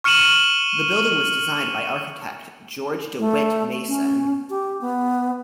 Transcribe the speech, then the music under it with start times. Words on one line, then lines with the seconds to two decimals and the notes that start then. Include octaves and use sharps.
The Building was designed by architect George DeWitt Mason.
0.04 C#6 F6 C#7 D#7 E7 F#7
3.19 A3
3.88 C#4
4.49 G4
4.81 B3